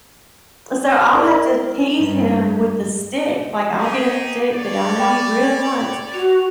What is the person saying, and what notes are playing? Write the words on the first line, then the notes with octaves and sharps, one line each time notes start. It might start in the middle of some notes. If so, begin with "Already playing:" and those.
So, I'll have to tease him with the stick. Like, I'll get a stick that I know he really wants,
E4 A#4 D5
G2
D#4 G4 G#4
C#5 D5
G5 B5 D6
F#4 F7